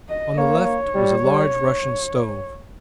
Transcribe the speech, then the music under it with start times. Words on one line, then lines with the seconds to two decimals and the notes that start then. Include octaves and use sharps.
On the left was a large Russian stove.
0.09 D#5
0.37 A#3 C#5
0.95 G3
1.24 G3